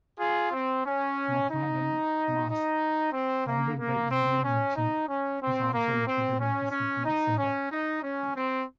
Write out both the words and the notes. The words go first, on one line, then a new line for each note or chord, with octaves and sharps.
Muhammadan Mosque, founded by Indian merchant, is also located in the city centre.
F4 G#4
C4
C#4
D#4
D#4
C4
A#3
A#3
C4
C#4
D#4
C#4
C4
A#3
C4
C#4
C#4
D#4
C#4
D#4
C#4
C4